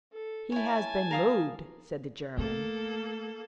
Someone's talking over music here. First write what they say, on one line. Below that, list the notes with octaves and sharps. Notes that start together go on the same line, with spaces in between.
"He has been moved," said the German.
A4
E4 C#5 G#5 A5
A#4 F5 D#6
A3 A#3 A4